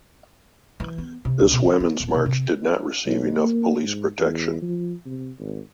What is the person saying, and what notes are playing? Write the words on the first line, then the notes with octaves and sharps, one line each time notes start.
This Women’s March did not receive enough police protection.
E3
B3
C3
C#2
B2
D3
B3
D#1
C3
C3
B1
A#3
G#2
E2
F3
C3
G#1